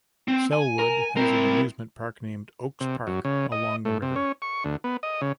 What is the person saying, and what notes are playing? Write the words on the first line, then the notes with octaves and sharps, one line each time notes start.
Sellwood has an amusement park named Oaks Park along the river.
C4
G#5
A#4
C4 E4 A#4
C3
F#2
C#3
D#5
A2
C3
C#4
C#6
D2
B3
D#5
C#3